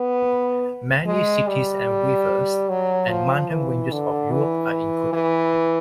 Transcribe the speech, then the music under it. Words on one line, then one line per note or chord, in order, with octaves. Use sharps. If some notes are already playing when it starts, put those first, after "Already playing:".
Many cities and rivers, and mountain ranges of Europe are included.
Already playing: B3
G#3
G3
F#3
F3
E3
D3
E3
E3